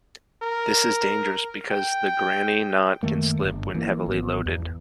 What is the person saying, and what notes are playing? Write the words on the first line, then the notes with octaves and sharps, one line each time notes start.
This is dangerous because the granny knot can slip when heavily loaded.
A#4
G5
F#2 D#3 A3 A#3
D1 G1
E3 A#3
G#1 B3
E2